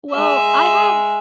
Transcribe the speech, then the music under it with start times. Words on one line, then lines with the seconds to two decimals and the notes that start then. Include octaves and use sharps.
Well, I have
0.11 G#3 E5